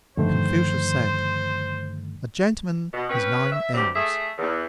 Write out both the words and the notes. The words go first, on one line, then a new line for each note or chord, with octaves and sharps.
Confucius said, A gentleman has nine aims.
G2 D3 D#3 F3 A3 C5
B2
C4 C#4 B4
E5
D2 G2 F#3 G3 C4 G4
A3 G#4 E5
E2